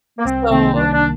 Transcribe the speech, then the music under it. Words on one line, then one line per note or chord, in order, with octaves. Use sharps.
S so
A#3
C2 C4
C3 D#3 A#3 C4
C2 D4
D4